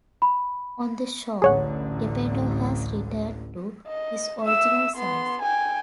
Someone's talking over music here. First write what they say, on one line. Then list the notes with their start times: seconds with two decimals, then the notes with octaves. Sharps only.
On the shore, Geppetto has returned to his original size.
0.22 B5
1.42 A1 D2 D3 G#4 C#5 F#5
3.87 D#5
4.43 E5 E6
4.96 B3 C6
5.42 G5 G#5